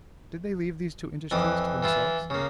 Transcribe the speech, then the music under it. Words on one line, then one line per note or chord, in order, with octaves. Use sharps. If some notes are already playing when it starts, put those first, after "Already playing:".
Did they leave these two industries to themselves?
F2 E3 D6 D#6
E3 E4 F4
C#3 A#3